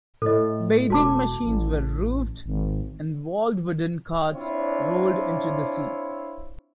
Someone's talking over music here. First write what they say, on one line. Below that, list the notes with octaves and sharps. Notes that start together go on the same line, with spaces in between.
Bathing machines were roofed and walled wooden carts rolled into the sea.
A2 A4 D#5
E1 F#4 A5 D6
A1
G#1
C4 D4 E4 F4 C#5